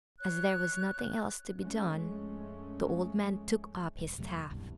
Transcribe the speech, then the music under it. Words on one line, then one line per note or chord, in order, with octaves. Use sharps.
As there was nothing else to be done, the old man took up his staff.
C#5 F#6
F2 G#3 A3 C#4
E1
E2 C3 F#3 A3
D#1 C2 G2 B2